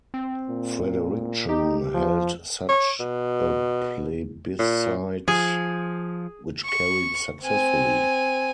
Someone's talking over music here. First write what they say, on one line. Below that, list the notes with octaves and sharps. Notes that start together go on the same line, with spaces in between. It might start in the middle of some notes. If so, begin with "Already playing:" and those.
Fredericton held such a plebiscite which carried successfully.
C4
A#2
D#4 G4
F3
C#5
B2
A#2
F3 G#4
C#6
C4 G#5